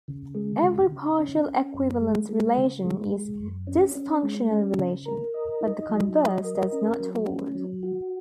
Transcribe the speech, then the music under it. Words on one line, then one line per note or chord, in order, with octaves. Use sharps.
Every partial equivalence relation is a difunctional relation, but the converse does not hold.
C#3
G#3
C#3
C#3
C#4
C#4
F#2
G#3
G#3
C#3
G#3
G#3
F#2
C#4
C#4
G#3
C#4
C#3
A#4
D#5
D#4
F#3
D#5
A#4
C#4
F#3
C#4
F#3
F#4